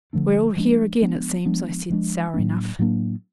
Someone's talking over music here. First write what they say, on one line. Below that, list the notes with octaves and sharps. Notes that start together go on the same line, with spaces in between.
'We're all here again, it seems,' I said, sour enough.
D3 F3 A3 D4
F3 G#3 B3 D4
F3 G#3 B3 D4
F3 G#3 B3 D4
F3 G#3 B3 D4
A2 F#3 A#3 D4
A2 F#3 A#3 D4